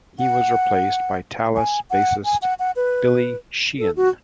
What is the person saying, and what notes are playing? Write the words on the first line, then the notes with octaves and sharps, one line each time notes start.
He was replaced by Talas bassist, Billy Sheehan.
F#5
G#5
F#5
G#5
F#5
F#5
B4
A4
F#4